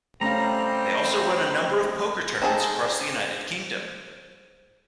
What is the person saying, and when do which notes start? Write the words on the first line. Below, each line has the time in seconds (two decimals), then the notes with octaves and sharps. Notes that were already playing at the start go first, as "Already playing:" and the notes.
They also run a number of poker tournaments across the United Kingdom.
0.21 G3 A3 C4 C#4 F5 A#5
2.42 C4 D#4 G#4 A4